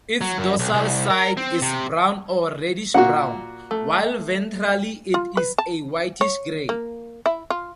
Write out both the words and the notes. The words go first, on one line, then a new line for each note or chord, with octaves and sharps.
Its dorsal side is brown or reddish-brown, while ventrally it is a whitish-grey.
F#3
F#2
B1
C2
A#4
C4
C3
A#2 A#3 F#4 F#5
A3
F4
B4
A5
C#5
A#3
E4
F4